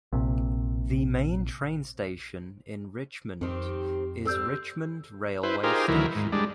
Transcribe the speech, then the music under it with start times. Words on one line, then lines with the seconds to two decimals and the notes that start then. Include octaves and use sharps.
The main train station in Richmond is Richmond railway station.
0.13 A#1 C3
3.41 F2 D#3 C4 G4
4.25 G3 C4 A4 E6 G6
5.43 E4 B4 C5
5.64 D#4 F4 G4 G#4 A#4 C5
5.88 D2 D#3 E3 F#3 E4 A#4
6.15 G#2
6.32 G3 G#3 D4